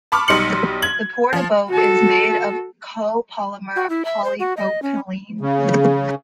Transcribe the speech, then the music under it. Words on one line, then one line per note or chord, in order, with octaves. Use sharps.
The Porta-Bote is made of copolymer polypropylene.
A5 B5 C#6 D6 F6
B1 G3 D#4 C6 C#7 F#7
G#6 F#7
F3
F#4 A4
F#4
E4
E5
C5
F#4
D#5
C#4
C#3